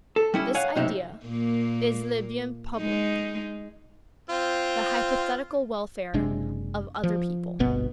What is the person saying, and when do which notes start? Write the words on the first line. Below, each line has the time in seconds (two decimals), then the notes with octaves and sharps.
This idea is le bien public, the hypothetical welfare of other people.
0.16 A4
0.34 G3 C#4 E4
0.55 C#5 F5 F#5 G#5
0.76 B1 F#2 C3 D#4 E5
1.25 A#2 A#3
2.78 G#3 D#4
4.30 C4 F4
6.14 F#1 C3 G#3 D4
7.03 F3
7.59 D1 G1 B2 B3